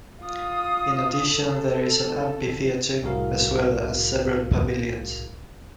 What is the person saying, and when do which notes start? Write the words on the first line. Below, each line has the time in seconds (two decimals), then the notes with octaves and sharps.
In addition, there is an amphitheater as well as several pavilions.
0.22 F4 D#6
1.25 A4
3.03 C2 A2 F#4 G#4 A#4 F5